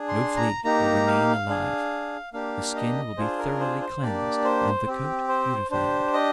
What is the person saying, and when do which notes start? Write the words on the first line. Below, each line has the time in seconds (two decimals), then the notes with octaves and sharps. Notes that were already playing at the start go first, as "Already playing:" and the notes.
No flea will remain alive; the skin will be thoroughly cleansed, and the coat beautified.
Already playing: D4 G#4
0.08 C6
0.36 A#5
0.64 A#3 D#4 G4 A#5
1.07 F5
1.49 D4 G#4
2.33 A#3 D4 G4 F5
2.75 D#5
3.17 D4 F4 G#4 C5
3.39 A#4
3.60 C5
3.81 C5
4.02 A#3 D4 G4 D5
4.44 C5
4.87 C4 G4
5.29 C5
5.71 D4 G4 C5
6.13 D#5